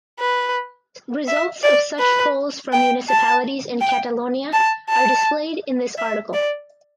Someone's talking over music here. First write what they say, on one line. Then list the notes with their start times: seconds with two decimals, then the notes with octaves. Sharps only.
Results of such polls for municipalities in Catalonia are displayed in this article.
0.19 B4
1.28 E5
1.63 D5
1.99 B4
2.72 G5
3.09 A5
3.81 G5
4.53 A5
4.89 A5
5.98 E5
6.34 D5